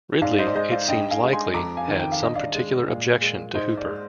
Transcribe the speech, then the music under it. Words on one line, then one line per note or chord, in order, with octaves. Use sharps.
Ridley, it seems likely, had some particular objection to Hooper.
G#2 D5 F5
C5 D#5
D5
G#3 C5 D#5
D5 F5
G2 D#5 G5
F5 G#5
G#3
G#5 C6
F2 A#5 D6
F5 G#5
D#3
G5
F5
G2 D#5
D5 F5
G#3
A#2
G#3
G#2 C5 D#5
D5
G#3